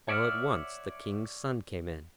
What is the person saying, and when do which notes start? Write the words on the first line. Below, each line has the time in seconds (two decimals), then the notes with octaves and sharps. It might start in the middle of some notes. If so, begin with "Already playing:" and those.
All at once the King's son came in.
0.09 C#5 D5 E5 F#5 F6